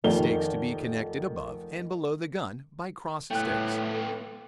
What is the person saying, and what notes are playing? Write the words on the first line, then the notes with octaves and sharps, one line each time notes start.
The stakes to be connected above and below the gun, by cross sticks.
F1 D#3 G7
A2 A3 B3 G5 F#6